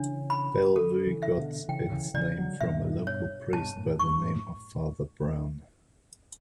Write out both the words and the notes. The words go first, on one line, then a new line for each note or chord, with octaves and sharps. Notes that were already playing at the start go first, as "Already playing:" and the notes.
Bellevue got its name from a local priest by the name of Father Browne.
Already playing: C#3 E3 D4
B5
D3 F#3 A4
C#3 E3
E5
B2 D3
C#3 E3 G5
C#3 E3
C#3 E3 D5
D3 F#3
G2 B2 E5
C#5
G2 B2 A5
F#2 A2
E2 G2 C#6
G2
F#2 A2